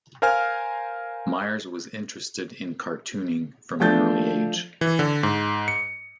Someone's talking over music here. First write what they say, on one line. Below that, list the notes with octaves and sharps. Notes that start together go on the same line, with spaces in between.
Myers was interested in cartooning from an early age.
A#4 C5 F5 G#5 F6
F3 A3 D4 G6 A6
E3
D3
G#2
C#7